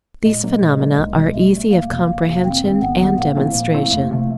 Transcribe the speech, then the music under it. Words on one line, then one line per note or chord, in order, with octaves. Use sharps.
These phenomena are easy of comprehension and demonstration.
A#2 G#3
F#3 A#3 D4
A#2
F#3 A#3 D4
B1
B2 G3
B1 A3
B2 G3
G1 A#3
F2 C3
G1
F2 C3
G#1 C4
G2 D#3 G#3
G#1 B3
G2 D#3 G#3
A#2 A#3
F3 A3 C4 E4
A#2
F3 A3 C4 E4
F2 A3
C3 F3